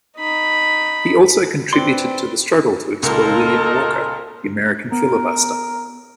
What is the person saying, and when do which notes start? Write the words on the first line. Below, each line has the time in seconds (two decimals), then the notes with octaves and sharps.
He also contributed to the struggle to expel William Walker, the American filibuster.
0.17 D#4 B5
1.73 C4 B4 D5 C6
3.03 C#2 A#2 D#4 F4 A4 A#4
4.92 B3 A#4